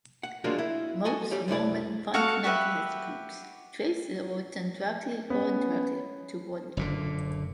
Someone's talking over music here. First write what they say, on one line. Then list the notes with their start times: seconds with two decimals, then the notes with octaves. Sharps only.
Most Mormon fundamentalist groups trace their origin directly or indirectly to Woolley.
0.23 F#5
0.44 F#3 G#3 A#3 D4 F4
0.58 E4
1.05 F#4 A4 D#5 G#5
1.31 F#3 G3 G4
1.48 C2 F#2 E4 D5
2.14 F#4 A4 F5
2.44 F#4 G4 B4 E5
5.30 B3 C#4
6.77 F#1 A#2 D3